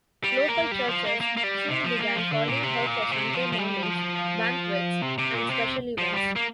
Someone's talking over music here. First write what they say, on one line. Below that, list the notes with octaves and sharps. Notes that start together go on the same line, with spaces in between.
Local churches soon began calling her for Sunday mornings, banquets and special events.
G3
A#3
G3
F3
A#3
A#3
A#3
G3
C3
F3
A#3
F3
D3
A#2
C3
A#2
C3
F3
F3
G3
F3
C3
C3
A#2
C3
F3
G3
A#3